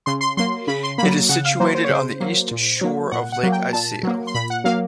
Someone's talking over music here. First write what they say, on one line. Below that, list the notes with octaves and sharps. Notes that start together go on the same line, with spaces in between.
It is situated on the east shore of Lake Iseo.
C#3 C6
C6
F#3 A#3 C6
C#3 B5
C6
F#3 A#3 B5
C#3 F#5
F5
F#3 A#3 C5
C5
C#5
C#3 C5
F#3 A#3
A#2
F#3 A#3
A#2 F#5
F#5
F#3 A#3
G5
A#2 A5
F#3 A#3
C6
A#2 B5
F#5
F#3 A#3 F5